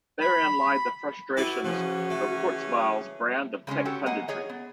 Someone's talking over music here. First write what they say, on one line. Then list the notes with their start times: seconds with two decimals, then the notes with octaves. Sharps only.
Therein lie the frustrations of Kurzweil's brand of tech punditry.
0.21 B5
1.37 E4 F#4 G4 A4 B4
1.65 C#3 E3 F3 C#4
2.10 A3
3.67 C#3 G#3 C4 C#4
3.85 F#4 G4 A4 C#5
4.06 A#3 B3 D#5 F#5 G#5
4.28 G#4 C#5 D#5
4.49 B3